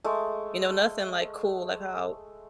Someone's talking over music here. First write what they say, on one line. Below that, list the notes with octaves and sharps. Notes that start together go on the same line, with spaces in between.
you know, nothing like cool, like how,
G#3 A3